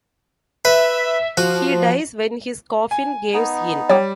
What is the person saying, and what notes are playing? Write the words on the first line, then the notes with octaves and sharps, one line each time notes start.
He dies when his coffin caves in.
B4 E5
F3 F#4
G#5
B3 D#4
G3 C#5 G5 D6